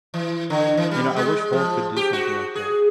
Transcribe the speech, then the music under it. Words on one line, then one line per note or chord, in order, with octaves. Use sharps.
You know, I wish Hulk could do something like that.
E3
D3
E3
G3
G#3
F3
G4
F#4
G#4